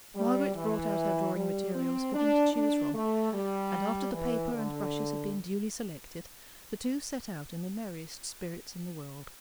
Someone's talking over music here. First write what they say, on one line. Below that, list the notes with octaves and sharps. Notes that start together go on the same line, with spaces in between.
Margaret brought out her drawing materials for him to choose from; and after the paper and brushes had been duly selected, the two set out in the merriest spirits in the world.
G3
E3
G3
C4
D4
D4
A3
G3
E3
D3